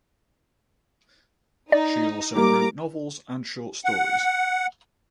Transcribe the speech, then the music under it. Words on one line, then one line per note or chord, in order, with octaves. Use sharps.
She also wrote novels and short stories.
D#4 D5
G3 A#3 A#5 D6
F#5